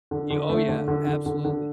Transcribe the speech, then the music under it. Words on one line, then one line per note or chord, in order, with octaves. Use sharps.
Y oh, yeah, absolutely,
D3
D3
A3
D3
D3
D3
D3
D3